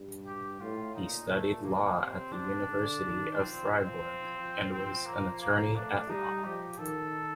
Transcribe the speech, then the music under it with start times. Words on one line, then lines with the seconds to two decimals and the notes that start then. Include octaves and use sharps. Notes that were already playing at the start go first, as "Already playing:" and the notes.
He studied law at the University of Fribourg and was an attorney-at-law.
Already playing: G2
0.26 G4
0.61 A2 F4
0.95 A#2 D#4
1.29 A3
1.63 A#3
1.97 C3 C4
2.32 D4
2.67 D3
3.01 D#3
3.35 F3 C4
3.69 C4
4.39 F3
4.72 F3 C4
5.06 A#3
5.41 A#3
5.75 A3 D4
6.10 G3 D#4
6.44 F3 G4
6.78 D#3 A4